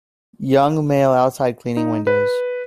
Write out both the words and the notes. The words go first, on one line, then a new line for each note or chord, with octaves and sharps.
Young male outside cleaning windows.
D#4
B4